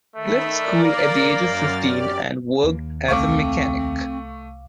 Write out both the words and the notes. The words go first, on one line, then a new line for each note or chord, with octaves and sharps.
He left school at the age of fifteen and worked as a mechanic.
D#3 A3 B5 E6
A#4 D5
A#3
F#2 F6 A6
G4 D5
D#2 A#3
C2 A3 C4 F5 C#6 D6